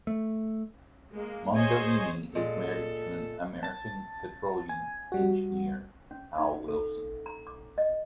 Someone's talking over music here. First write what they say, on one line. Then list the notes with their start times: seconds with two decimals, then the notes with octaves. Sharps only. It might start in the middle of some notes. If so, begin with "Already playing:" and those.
Mondellini is married to an American Petroleum engineer, Al Wilson.
0.07 A3
1.11 G#3 A#3
1.54 G#4 C5 C#5 D#5 G#5
2.35 A#2 G#3 A4
3.63 A5 A6
4.69 G#5
5.12 G3 F#4
6.11 C#4
6.38 D#4
6.68 A4
7.26 A#5
7.47 D6
7.78 D#5